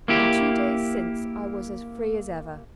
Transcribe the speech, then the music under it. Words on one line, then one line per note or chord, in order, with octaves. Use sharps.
"And two days since I was as free as ever."
A#3 E4 G4